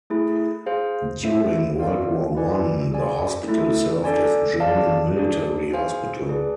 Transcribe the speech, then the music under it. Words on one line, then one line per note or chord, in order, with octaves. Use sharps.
During World War One, the Hospital served as German military hospital.
A3 E4 G#4
G#4 C5 F5
C4 E4 A4 C5 E5
B3 F4 B4 D5 F5
E4 B4 D5 G#5
G#4 D5 G#5
A3 E4 A4 E5
D4 A4 D5 G#5
G#4 D5 F5 A5
D4 G#4 D5
G#4 C5 F5 G#5
G#4 B4 D5 A5